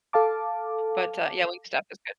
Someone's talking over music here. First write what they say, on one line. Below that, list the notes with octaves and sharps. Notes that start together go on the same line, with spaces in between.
But, uh, yeah, Wingstop is good.
A4 F5 A5 D6